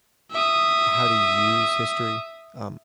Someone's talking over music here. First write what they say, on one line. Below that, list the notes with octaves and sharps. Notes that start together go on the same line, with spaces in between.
how to use history, um,
E5 D#6